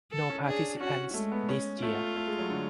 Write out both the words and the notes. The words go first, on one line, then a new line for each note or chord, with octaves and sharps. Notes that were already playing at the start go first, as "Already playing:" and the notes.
No participants this year.
A4
C#4
D4 G#4
C#4 F#4
G#3 A3
B3
C#4
A3 F4
A3
G#3
F#3
D3